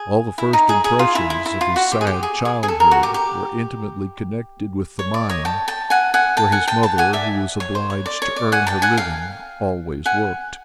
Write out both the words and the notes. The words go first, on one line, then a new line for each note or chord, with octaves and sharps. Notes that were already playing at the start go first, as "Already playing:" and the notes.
All the first impressions of his sad childhood were intimately connected with the mine where his mother, who was obliged to earn her living, always worked.
Already playing: G#4
E4
D#4
G#4
G#4
F4
E4
E4
E4
F4
F#4
G4
G#4
G4
G#4
G#4
G#4
A4
A#4
F#4
G4
G4
C#5
D5
C#5 D#5
G5 A5
G5 A5
F#5 G#5
F#5 G#5
G5 A5
F#5 G#5
G5 A5
G5 A5
F#5 G#5
D5 E5
C#5
C5
C#5
D5
C#5
D5
F#5 G#5
G5 A5
F#5 G#5
F5 G5
F#5 G#5